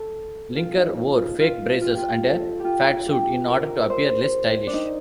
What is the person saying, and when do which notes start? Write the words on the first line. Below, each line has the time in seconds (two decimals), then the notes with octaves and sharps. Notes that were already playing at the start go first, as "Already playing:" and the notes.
Linker wore fake braces and a fatsuit in order to appear less stylish.
Already playing: A4
0.56 F4
0.77 D#4
1.18 F4
1.40 F4
1.82 F4
1.90 G4
1.98 F4
2.23 A4
2.60 F4 G4
3.06 G4
3.48 A#4
3.90 C5
4.67 D4
4.73 D#4